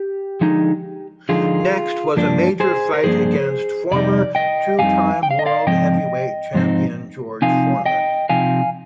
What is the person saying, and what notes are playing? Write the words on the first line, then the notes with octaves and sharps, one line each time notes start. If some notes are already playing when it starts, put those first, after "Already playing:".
Next was a major fight against former two time world Heavyweight champion George Foreman.
Already playing: G4
D3 F3 G#3 D#4
D3 F3 G#3 D#4 F4 G#4
G2 F3 A#3 D4
G#4 C5
A#4
G2 F3 A#3 D4 G#4 C5
F2 C3 G3 D#4 D5
D#5 G5
F2 C3 G3 C4 D#4 F5 G#5
G5
F5
D#5
D5 F5
G#2 F3 C4 D#5 G5
G#2 F3 C4 D#4
C3 F3 C4 D#4 F5 G#5
D#5 G5
C3 F3 C4 D#4 F5 G#5